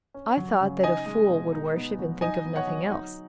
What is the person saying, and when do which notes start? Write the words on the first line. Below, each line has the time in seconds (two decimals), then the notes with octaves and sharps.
I thought that a fool would worship, and think of nothing else.
0.14 C#4
0.37 F#3
0.61 C#3
0.83 D#4 D#5 G#5
1.06 G#3
1.29 B2
1.53 D#4
1.76 B3
1.99 F#3
2.21 D#4 D#5 G#5
2.45 B3
2.56 C#5 F#5
2.68 F#3
2.90 D#4